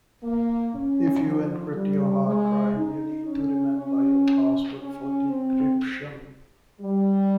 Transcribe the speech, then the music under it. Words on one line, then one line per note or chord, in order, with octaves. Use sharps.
If you encrypt your hard drive you need to remember your password for decryption.
A#3
C#4
F3
G3
G#3
D#4
C#4
C#4
C#4
C4
G3